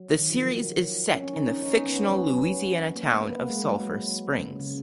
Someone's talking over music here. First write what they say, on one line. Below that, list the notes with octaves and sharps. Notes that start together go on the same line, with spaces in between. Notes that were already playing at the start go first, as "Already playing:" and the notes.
The series is set in the fictional Louisiana town of Sulphur Springs.
Already playing: F#3
D#3
F3
F#3
C#4
D#4
C#4
D#4
B3
C#4
B3
F#3
B3
A#3
B3
B3
A#3
G#3
F#3
C#3
C#3